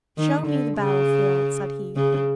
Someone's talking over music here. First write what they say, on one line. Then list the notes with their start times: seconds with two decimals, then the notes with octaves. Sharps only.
'Show me the battle-field,' said he.
0.18 D#3
0.47 D3
0.78 C#3
1.96 C#3